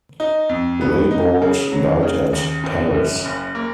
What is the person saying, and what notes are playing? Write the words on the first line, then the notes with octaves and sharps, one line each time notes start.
Reybaud died at Paris.
D#4
F2
B3
D#4
C#3
F#3
C#3
D#2
F#2
F#2
F#1
A#3